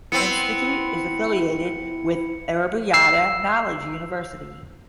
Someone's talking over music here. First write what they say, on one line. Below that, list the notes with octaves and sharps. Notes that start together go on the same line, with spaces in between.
Institute is affiliated with Aryabhatta Knowledge University.
B3 C4 E4 C#7
E6 C7